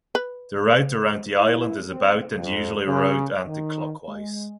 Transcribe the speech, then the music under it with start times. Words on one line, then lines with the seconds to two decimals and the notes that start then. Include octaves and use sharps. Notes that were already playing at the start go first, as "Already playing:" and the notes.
The route around the island is about and usually rowed anticlockwise.
0.15 B4
1.40 E4
1.91 C4
2.36 F2
2.87 C#3
3.46 D#3
4.08 G#3